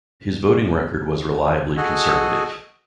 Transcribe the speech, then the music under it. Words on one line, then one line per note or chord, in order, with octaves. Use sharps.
His voting record was reliably conservative.
F#4 G#4 A4 D#5 F#5 G#5